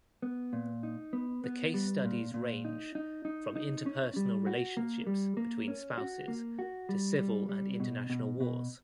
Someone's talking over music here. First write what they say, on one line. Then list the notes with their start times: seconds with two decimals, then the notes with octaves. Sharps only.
The case studies range from interpersonal relationships between spouses to civil and international wars.
0.22 B3
0.53 A#2
0.83 D#4
1.13 B3
1.44 B3
1.74 G3
2.05 A#2
2.34 A#2
2.65 D#4
2.95 D#4
3.25 D#4
3.56 D#4
3.86 C#4
4.16 G3
4.47 F#4
4.77 A#3
5.07 G3
5.37 A#3
5.68 C#4
5.98 F#4
6.28 A#3
6.59 F#4
6.89 G3
7.19 G3
7.49 G3
7.80 B2
8.10 B2
8.40 B2